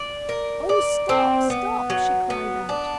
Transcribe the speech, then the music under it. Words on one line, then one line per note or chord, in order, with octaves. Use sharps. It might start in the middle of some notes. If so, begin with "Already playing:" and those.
"Oh, stop, stop!" she cried out.
Already playing: D5
A#4
D5
C4
B3
F#3
B3
D4